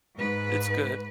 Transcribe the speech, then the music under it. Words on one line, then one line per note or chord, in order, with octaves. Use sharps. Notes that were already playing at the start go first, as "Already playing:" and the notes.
It's good.
G#2 B4